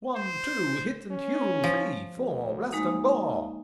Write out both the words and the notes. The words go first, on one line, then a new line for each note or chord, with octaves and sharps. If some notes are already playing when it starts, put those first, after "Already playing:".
'One, two, Hit and hew! Three, four, Blast and bore!'
C5
C#4
F3
D2
G#3 A#3 D#4